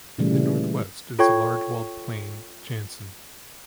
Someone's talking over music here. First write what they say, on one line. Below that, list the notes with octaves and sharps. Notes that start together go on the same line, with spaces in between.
To the northwest is the large walled plain Janssen.
A#2 C#3 E3 G3 A3
F4 A4 C#5 G5 C#6 G#6